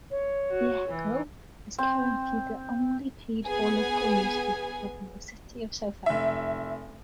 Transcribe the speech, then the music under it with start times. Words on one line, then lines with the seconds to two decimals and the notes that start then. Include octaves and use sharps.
The "Echo" is currently the only paid-for local newspaper covering the city of Southampton.
0.11 C#5
0.51 F#4
0.88 E3
1.78 C4
3.47 B3 G#4 G#5
6.06 F1 E5